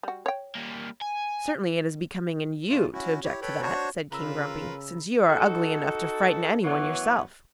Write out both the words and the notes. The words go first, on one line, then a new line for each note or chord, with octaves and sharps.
'Certainly it is becoming in YOU to object to that,' said King Grumpy, 'since you are ugly enough to frighten anyone yourself.'
G3 F#4
C#5 G5
G3 A#3
G#5
A#2 A3 F4
C#4 E4 F#4
E4 G4 C#5
A4 B4 C#5 G5 B5
D4 F#4 C5 C#5 C#6
C#3 F4 A#4 B4 A#5 B5 E6
D#4 F#4 A4
F#2 E3 B3 C#5